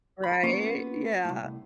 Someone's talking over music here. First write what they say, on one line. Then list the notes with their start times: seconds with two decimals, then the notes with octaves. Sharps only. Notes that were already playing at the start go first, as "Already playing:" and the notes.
Right, yeah.
0.24 B5
0.43 A#3 B3 C#4 F4
1.25 C2 A2